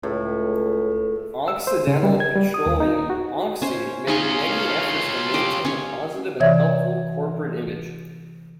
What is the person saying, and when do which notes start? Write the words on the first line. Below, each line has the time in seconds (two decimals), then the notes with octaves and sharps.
Occidental Petroleum, Oxy, made many efforts to maintain a positive and helpful corporate image.
0.03 C#2 A2
1.48 E6
1.67 C5
1.87 C#3
2.03 G3
2.20 G#6
2.35 G3
2.54 D#6
2.66 D#2
2.80 D#4
3.10 F#4
3.62 C#4 C5
4.08 C#4 D#4 F4 G#4 C#6
5.34 G4 D#5 D6
5.65 C#4 C#5
6.40 C3 E3 C#5 D5 E5 G#6